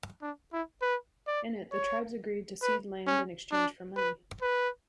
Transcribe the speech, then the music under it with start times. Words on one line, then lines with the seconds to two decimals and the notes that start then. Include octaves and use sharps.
In it the tribes agreed to cede land in exchange for money.
0.22 D4
0.53 E4
0.82 B4
1.27 D5
1.72 C#5
2.62 B4
3.07 C#4
3.52 D4
3.96 B4
4.42 B4